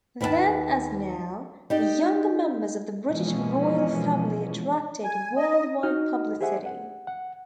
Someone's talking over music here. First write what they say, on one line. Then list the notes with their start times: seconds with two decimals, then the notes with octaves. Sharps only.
Then as now, the younger members of the British Royal Family attracted worldwide publicity.
0.21 D#2 B4 D5 E5 F#5 A5
1.70 D#4 G4 D5
3.09 B2 E3 F3 G#3 A#3 C#4
5.03 G#5
5.36 D#5
5.83 D#4 F#4 D#5 F6
6.41 G4 G#4 C5 E5 F#5 G#5
6.66 F#5
7.07 F#5